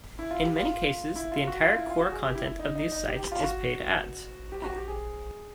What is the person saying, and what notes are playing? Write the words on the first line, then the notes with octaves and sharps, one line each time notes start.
In many cases, the entire core content of these sites is paid ads.
E4
F4
G4
F4
E4
F4
F#4
F4
E4
F4
F#4
G#4
G4
E4
E4
D#4
D#4
D#4
G4
G4
F4
F#4
G4
F#4
G4
G#4